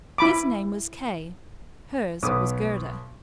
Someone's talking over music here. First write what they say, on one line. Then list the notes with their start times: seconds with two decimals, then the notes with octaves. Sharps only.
His name was Kay, hers was Gerda.
0.18 E4 B5 D6
2.23 B1 B3 B4 D6 D#6